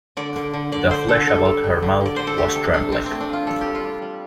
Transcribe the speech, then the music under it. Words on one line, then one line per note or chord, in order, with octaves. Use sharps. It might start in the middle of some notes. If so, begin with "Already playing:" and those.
The flesh about her mouth was trembling.
D3 D5
D3
D3
D3 D5
D3 C5
D3 A4
D3 A4
G3
D3
D3
D3 D5
D3 C5
A4
A3 G4
C3 A4
C3 D4
C3 C4
A3 C4
D4
F3 F4
G3 A4
G3 G4
F4
G3
G3